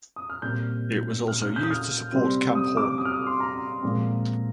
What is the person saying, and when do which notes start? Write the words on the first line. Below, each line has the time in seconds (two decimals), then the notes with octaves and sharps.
It was also used to support Camp Horn.
0.16 D#6
0.30 F6
0.42 A#2 G3 C4 G6
1.28 F6
1.42 F6
1.56 G6
1.63 D#6
1.71 F6
2.12 C3 G3 C4
2.55 D#6
2.77 D6
2.98 D#6
3.05 F6
3.12 D#6
3.27 C6
3.40 A#5
3.83 A#2 F3 G#3 C4